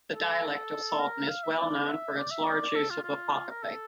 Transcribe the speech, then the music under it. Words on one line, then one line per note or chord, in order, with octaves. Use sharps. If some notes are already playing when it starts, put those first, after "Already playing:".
The dialect of Salten is well known for its large use of apocope.
A4
A#4
F5
E5
D5
E5
D5
E5
D5
A4
F4
F4
A#4
A4